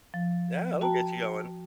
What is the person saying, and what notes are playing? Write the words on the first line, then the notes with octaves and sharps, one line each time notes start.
Yeah, it'll get you going.
F3
F#4 G5 A5 A#5